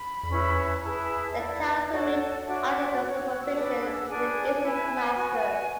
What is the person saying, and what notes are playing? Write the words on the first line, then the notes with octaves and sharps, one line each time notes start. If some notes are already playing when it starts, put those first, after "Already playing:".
The tiles were made under the supervision of the Iznik master.
Already playing: B5
C#4 E4 B4
E4 G#4 B4 A5
E5
E4 B4 D5
F#4 A4 C#5
D4 F#4 C#5 E5
F#5
A5
D6
F#4 C#5
F#6
F#6
E6
D4 G#4 B4
F#5
D4 G#4 B4 G#5
E4 B4
F#4 B4